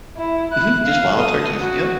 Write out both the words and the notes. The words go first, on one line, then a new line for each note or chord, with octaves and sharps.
Mhm, just wild turkeys, yep.
E4
E4 F#6
F5
A4 D#6
F#4